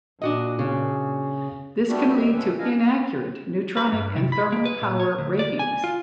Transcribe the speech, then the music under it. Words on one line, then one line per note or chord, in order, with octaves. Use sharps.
This can lead to inaccurate neutronic and thermal power ratings.
A#2 D4 F#4 D#5
C#3
G3 A3 B3 D4 F#4 G4
D#2 G#3 G4 E5
A#2 D3 C#4 A4 B4
D4 B4 D#5 F5 G#5
B4
G2
C3
B5
A#3
B4
A#2
C#5
D2
D5
G#5
F4